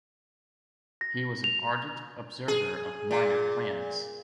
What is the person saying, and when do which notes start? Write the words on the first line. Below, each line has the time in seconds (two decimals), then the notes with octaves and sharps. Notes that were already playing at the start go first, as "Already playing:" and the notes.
He was an ardent observer of minor planets.
1.01 A#6
1.44 F7
2.48 G#4
3.11 A#2